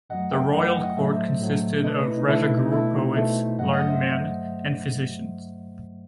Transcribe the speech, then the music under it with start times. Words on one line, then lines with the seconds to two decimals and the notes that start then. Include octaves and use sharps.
The royal court consisted of a "Rajaguru", poets, learned men and physicians.
0.10 F#2 F#3 A3 D#5 F#5
0.31 E5 G5
0.53 F#2 F#3 A3 D#5 F#5
0.68 D#5 F#5
0.82 D#5 F#5
0.97 A2 F#3 A3 E5
1.05 D#5
1.12 C5 E5
1.41 A2 F#3 A3
1.84 B2 A3 B4 D#5
1.95 B4 D#5
2.07 E4
2.18 D#4
2.28 B2 A3 E4
2.42 E4
2.57 D#4
2.72 B2 A3 E4
2.94 D#4 F#4
3.16 B2 A3 C5 E5
3.59 G2 F#3 A3 D#5 F#5
3.73 D#5 F#5
3.88 C5 E5